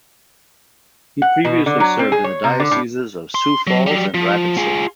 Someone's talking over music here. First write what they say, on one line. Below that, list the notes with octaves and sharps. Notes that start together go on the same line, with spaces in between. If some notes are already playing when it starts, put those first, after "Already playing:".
He previously served in the dioceses of Sioux Falls and Rapid City.
F#5
B2
D3
F#3
C4
G#4
C#5
C3
D3
A2
C6
F#3
F#3 G3
F3
F4 G#4